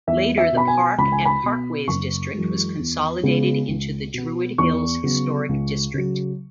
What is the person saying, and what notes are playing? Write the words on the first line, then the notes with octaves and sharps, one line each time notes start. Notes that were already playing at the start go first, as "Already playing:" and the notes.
Later the Park and Parkways district was consolidated into the Druid Hills Historic District.
E2 E5
E5
B2 B3 B5
G#5
C#2 B5
G#5
B5
B2 B3
F#1 C#6
F#2 E3 G#3
E2
C#3 G#3 B3
C#2
B2 B3
E2 C#6
C#3 F#3 B3
C#2
C#3 F#3